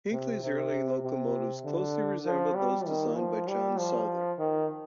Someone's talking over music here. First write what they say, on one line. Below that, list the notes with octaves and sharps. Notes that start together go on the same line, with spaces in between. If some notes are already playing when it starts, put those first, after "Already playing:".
Hinkley's early locomotives closely resembled those designed by John Souther.
C3
C3
C3
D3
F3
G3
D#3
F3
G3
F3
D#3